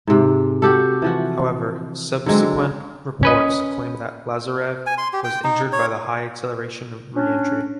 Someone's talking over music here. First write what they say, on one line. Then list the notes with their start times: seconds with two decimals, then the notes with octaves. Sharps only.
However, subsequent reports claimed that Lazarev was injured by the high acceleration of re-entry.
0.07 G#2 C3
0.62 F#4 G4 A4
1.02 E3 F3 F#4
2.26 D3 F#3 G#3 C4
3.23 C#4 B4 D#5
4.86 G#5
4.98 C6
5.13 G4
5.24 G5
5.44 D#4
5.73 C#5
7.15 C#4 D4